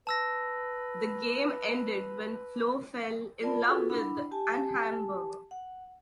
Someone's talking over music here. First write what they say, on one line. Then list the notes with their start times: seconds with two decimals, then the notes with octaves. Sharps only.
The game ended when Flo fell in love with an hamburger.
0.07 B4 A5 E6 A#6
3.41 F4 A#4 D5 A5 B5
3.67 F4 F#4 G#4 A4 B4
3.89 D4 E4 F#5 B5
4.31 G4 G#5 A5
5.51 F#5